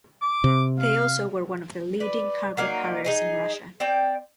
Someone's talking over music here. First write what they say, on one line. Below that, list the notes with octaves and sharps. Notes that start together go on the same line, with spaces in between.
They also were one of the leading cargo carriers in Russia.
D6
C3
F5
B4 D5
F#3 A#3 D#4 D5
D#4 G#4 D#5
C4 D5 G5